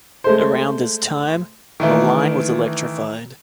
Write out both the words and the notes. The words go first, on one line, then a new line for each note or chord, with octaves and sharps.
Around this time, the line was electrified.
G#3 A3 C5
D#3 E3 A3